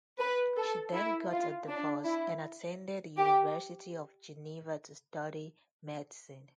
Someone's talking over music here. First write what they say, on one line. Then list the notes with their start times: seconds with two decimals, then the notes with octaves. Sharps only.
She then got a divorce, and attended the University of Geneva to study medicine.
0.19 B4
0.57 A4
0.94 E4
1.31 F4
1.68 D4
2.05 E4
3.17 G4